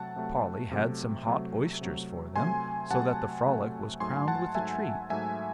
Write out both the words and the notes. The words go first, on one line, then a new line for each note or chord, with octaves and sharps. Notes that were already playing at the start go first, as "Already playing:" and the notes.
Polly had some hot oysters for them, so that the frolic was crowned with a treat.
Already playing: C3 F#3 A3 F#5 A5
C3 F#3 A3
C3 F#3 A3
C3 F#3 A3
C3 F#3 A3
C3 F#3 A3 G#5 C6
C3 F#3 A3 F#5 A5
C3 F#3 A3
G#2 F#3 A3 G#5 C6
F#5 A5
G#2 F#3 A3 E5 G#5
G#2 F#3 A3 E5 G#5